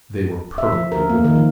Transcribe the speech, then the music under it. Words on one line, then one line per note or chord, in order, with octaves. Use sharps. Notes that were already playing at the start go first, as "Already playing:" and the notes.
They were perfectly good.
E5
F3
A#4
A#3
D#3
F3